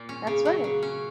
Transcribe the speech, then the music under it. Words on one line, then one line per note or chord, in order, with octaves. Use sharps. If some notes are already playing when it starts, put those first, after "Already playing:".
That's right.
Already playing: A#2 A#3
C#4
C#3
F#3
C#3
C#4